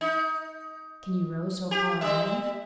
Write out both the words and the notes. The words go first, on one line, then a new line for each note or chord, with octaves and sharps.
"Can you row so far alone?"
D#4
G4
G3 E5